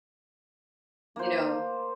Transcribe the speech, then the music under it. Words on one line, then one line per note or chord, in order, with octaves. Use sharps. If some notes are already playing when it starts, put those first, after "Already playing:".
you know
A#3 C5